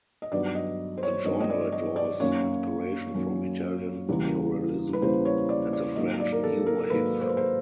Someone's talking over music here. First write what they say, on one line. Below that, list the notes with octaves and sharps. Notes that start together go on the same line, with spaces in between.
The genre draws inspiration from Italian neorealism and the French New Wave.
D#5
G2 D#3 F#3 B3 D5
D#5
C5
C#5
G2 D#3 F#3 B3 D#5
D#5
D5
D#5
D5
F#2 D#3 F#3 A#3 C#4 C#5
F#2 D#3 F#3 A#3 C#4
E2 C#3 E3 G3 A#3
B4
E2 C#3 E3 G3 A#3 C5
C#5
D5
D5
G#2 D#3 F#3 A#3 D#5
D5
A#4
A4
A#4
G#2 D#3 F#3 A#3 B4
C5
B4
C5